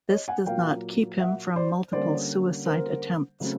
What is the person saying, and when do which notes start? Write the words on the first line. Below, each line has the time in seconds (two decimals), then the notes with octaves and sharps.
This does not keep him from multiple suicide attempts.
0.10 C#5 D#5
0.28 F#5 G#5
0.46 A#2 F#3 A#3 F5 G5
1.20 E5 F#5
1.56 C5 D5
1.93 D3 G3 A#3 C#4 C5 D5
2.66 A#4 C5
3.40 C#3 F#3 A3 C4